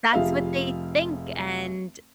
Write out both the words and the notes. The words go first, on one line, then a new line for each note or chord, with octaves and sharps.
That's what they think. And,
F1 F3 G#4 E5 F5